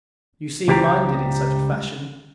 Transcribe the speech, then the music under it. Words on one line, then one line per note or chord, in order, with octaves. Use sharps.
You seem minded in such a fashion.
C#2 G3 G4 C5 G5 A#5